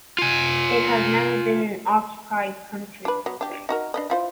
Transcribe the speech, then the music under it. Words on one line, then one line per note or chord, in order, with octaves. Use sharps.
It has never been an occupied country.
F4 G#5
D4 B4
F#3 B3
D4 G4
D#4 F#4 A#4
D4 B4 D#5
E4 F4 C5